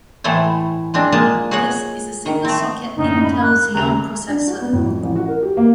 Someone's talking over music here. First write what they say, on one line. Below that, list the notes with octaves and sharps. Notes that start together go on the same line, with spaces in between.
This is a single-socket Intel Xeon processor.
A2 E3 A3 A4 C5 G#5
G#3 C4 D4
A#2 G#3 A#3 D#5 A5
F#4 G#4 C#5 F#5
D#3
A3 C4
F#2 A2 D3 D#4
B5
A#4 F#6
D#2 C#3 A#5 F7
D4
F#4
B3
A2
F2
A1
F#4
A#4
G4
A#3